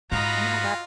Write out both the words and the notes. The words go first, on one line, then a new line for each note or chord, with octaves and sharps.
Oh my go
G#2 F4 F#4 D#5 A#5 B5